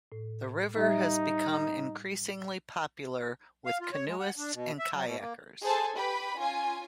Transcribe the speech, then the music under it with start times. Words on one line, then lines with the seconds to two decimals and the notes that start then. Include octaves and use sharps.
The river has become increasingly popular with canoeists and kayakers.
0.12 A2
0.77 G3 D#4 G4 E5
3.66 F5
3.81 F4
3.93 C#5
4.07 G#3
4.20 F#5
4.38 D4
4.54 B2
4.79 E5
4.93 F#3
5.05 B2
5.20 A#3
5.61 G#4 A4 C5 G#5 A5
5.95 G4 B4 B5
6.38 C#4 F4 G#5